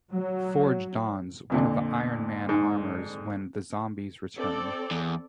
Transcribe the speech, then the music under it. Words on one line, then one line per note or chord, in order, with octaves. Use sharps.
Forge dons one of the Iron Man armors when the zombies return.
F#3
F2 A#2 D3
G#2
C4 A4 D5
E2